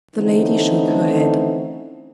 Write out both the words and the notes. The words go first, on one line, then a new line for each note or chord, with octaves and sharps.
The lady shook her head.
D3 E3 A3 C4 C#4 D#4